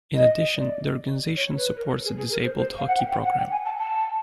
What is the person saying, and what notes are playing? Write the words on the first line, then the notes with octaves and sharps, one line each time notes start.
In addition, the organization supports a disabled hockey program.
D#5
D5
C#5
B4
A#4
A4
G#4
G#4
A#4
C5
C5
F5
F#5
G5
G5
F#5
G5
G#5
A5
A5